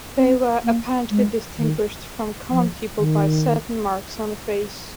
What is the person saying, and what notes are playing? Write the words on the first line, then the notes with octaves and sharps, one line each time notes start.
They were apparently distinguished from common people by certain marks on the face.
C4
A#3
G#3
D#3
F3
D#3